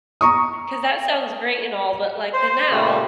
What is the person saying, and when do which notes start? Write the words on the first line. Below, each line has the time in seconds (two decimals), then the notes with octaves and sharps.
'Cause that sounds great and all, but like the now,
0.21 A#5 C#6 D#6
2.33 C5
2.71 A#2 C#3 G3 A3 C5